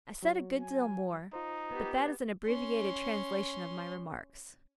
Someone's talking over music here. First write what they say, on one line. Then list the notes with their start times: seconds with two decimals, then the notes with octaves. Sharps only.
I said a good deal more, but that is an abbreviated translation of my remarks.
0.23 F#3 F#4 C#5
0.60 G#5
1.33 D#4 F4 C5
1.70 B3 G4
2.47 C#4 C6